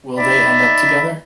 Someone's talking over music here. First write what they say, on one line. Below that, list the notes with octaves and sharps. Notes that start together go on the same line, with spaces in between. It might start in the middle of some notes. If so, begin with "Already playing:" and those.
Will they end up together?
D#4 D5 E5 B5